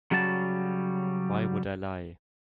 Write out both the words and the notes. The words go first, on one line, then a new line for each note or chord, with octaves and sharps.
Why Would I Lie?
C#3 F#3 G3 F#4 A5